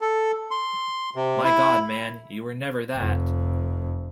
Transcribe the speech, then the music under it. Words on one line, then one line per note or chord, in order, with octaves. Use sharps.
My God, man, you were never that.
A4
C6
C3
E4
F1 F2